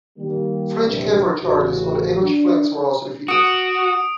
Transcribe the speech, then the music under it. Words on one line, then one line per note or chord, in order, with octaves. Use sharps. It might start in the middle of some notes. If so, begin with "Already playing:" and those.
French cavalry charges on the English flanks were also defeated.
D#3 G3 A#3
A#1 E2 G2 C3
A1 C#3 F#4
D4
F#4 D#6 D7